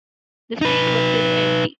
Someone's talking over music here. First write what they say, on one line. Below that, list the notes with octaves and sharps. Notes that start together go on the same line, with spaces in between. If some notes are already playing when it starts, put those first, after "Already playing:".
The street was still empty.
D#4 B4